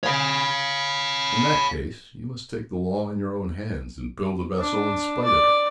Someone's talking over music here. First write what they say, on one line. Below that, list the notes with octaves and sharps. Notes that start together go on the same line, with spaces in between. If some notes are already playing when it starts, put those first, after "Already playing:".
"In that case, you must take the law in your own hands, and build a vessel in spite of him."
C#5 F5
D4
D5